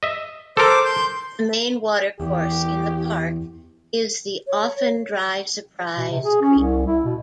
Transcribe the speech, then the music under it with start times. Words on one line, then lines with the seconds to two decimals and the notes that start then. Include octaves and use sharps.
The main watercourse in the park is the often dry Surprise Creek.
0.03 D#5 E5
0.57 A4 A#4 C5 D6
0.85 C6 G6
2.20 E2 G4
4.47 C#5
5.97 B2
6.10 C3
6.23 G#4
6.41 C#4
6.58 C2
6.86 E4
7.05 B2